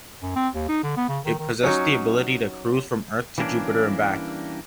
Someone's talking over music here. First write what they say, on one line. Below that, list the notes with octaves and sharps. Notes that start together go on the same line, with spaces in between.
It possesses the ability to cruise from Earth to Jupiter and back.
F#2
C4
D#2
D#4
D3
B3
C#3
D#3
D#3
F#3 C#4 D#4 F#4
E3 G3 A#3 C#4 D4